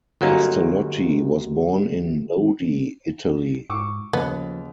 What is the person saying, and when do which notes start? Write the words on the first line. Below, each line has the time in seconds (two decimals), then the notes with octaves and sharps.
Castellotti was born in Lodi, Italy.
0.21 G1 F#3 A#3 C#4 D#4
3.70 G#2 C#6 D6 E6
4.13 D#2 C#3 F3 B3